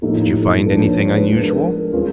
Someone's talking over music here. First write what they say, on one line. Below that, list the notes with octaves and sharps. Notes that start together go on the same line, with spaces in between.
"Did you find anything unusual?"
A2 F3 A#3 D#4 G4 A4
F3 A#3 D4 B4
C#5
B4
F3 G#3 B3 D4 B4
A#4
A4
A#4
G#3 C#4 F4 G#4 B4